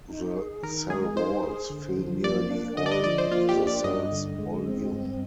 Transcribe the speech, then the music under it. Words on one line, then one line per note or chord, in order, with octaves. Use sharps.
The cell walls fill nearly all the cell's volume.
D#4
G#4
D#3 A#4
G#3 G#4
D#4 C5
G#4
D3
F3
A#3 D5
D4
D3 D#5
D5
D#5
F3 D5
C5
A#3 F4
G4
D4
D5
G2 D#5
D3
G#3
C4
G2